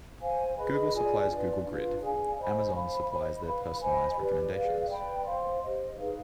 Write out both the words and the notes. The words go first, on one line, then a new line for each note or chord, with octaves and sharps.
Google supplies Google Grid, Amazon supplies their personalized recommendations.
C5 F5 G#5
G#4 B4 D#5 B5
F4 G#4 D5 G#5
D4 F4 B4 D5
D4 F4 B4 F5
G#4 D5 F5 G#5
C5 D#5 G#5 B5
C5 F5 B5
C5 D#5 B5
B4 F5 B5
C5 D#5 G#5 B5
G4 B4 D5
G#4 B4 D5 F5
B4 D5 G5 B5
C5 F5 C6
G4 C5 D#5
D#4 G#4 B4 F5